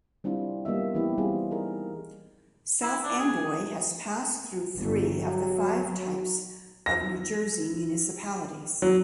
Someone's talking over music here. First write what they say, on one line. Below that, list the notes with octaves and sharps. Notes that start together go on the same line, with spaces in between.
South Amboy has passed through three of the five types of New Jersey municipalities.
G3 C4 D4 E4 F4
G3 A#3 B3 F4 D#5 E5
E3 B3 C4 E4 G4
G3 C4 F4 G#4
D#4 G#4 A#4
E4
D4
G#4
G1
F#3
A#6
F#3